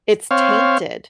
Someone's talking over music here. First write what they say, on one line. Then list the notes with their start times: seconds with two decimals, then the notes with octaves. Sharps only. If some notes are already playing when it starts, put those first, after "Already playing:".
it's tainted
0.31 C4 C#5 F5